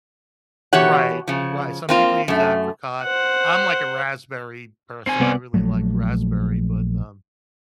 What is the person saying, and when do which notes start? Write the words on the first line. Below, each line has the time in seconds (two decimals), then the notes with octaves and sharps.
Right, right, some people use apricot. I'm, like, a raspberry person. I really like raspberry, but, um,
0.73 B2 E3 F#4 G4 C#5 F#5
1.28 C#3 F3
1.89 A#3 C4 F4
2.28 F#2 A3
3.03 C5 F#5
5.07 C4 G#5
5.20 C2 B3 D5
5.54 A#1 F3 F#3 A3